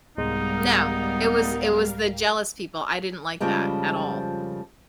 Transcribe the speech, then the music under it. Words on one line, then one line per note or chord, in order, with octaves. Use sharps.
No, it was it was the jealous people I didn't like that at all.
C2 G#2 G3 G#3 B3 D#4 A#4 F5
F2 C#3 F3 G3 G#3